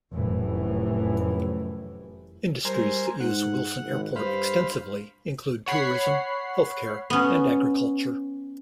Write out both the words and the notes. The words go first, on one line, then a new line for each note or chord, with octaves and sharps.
Industries that use Wilson Airport extensively include tourism, health care and agriculture.
F1 F#2 A2 E3
G3 A#4 C5 G#5
G#2 F#5
G#1
G2 C5 F5 B5
C#5 F#5 B5 C7
B3 C#4